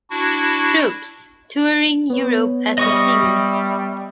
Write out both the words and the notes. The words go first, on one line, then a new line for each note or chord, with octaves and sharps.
Troops, touring Europe as a singer.
D4 E4 F#4
B3 C#5
G3 D#5 E5 C#6 D#6